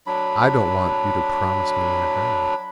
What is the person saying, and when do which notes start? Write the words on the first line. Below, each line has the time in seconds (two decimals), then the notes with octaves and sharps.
"I don't want you to promise me in a hurry."
0.07 F#3 D4 B5